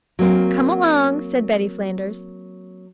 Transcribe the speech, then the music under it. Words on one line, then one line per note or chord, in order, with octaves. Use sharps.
"Come along," said Betty Flanders.
F#3 A#3 C4 A#4